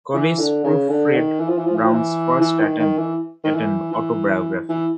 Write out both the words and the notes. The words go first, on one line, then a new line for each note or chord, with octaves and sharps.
Collis proofread Brown's first attempt at an autobiography.
E3
D3
C#3
D3
D#3
E3
F3
E3
F3
E3
F3
E3
E3
D#3
D#3
E3
D#3
E3
E3
E3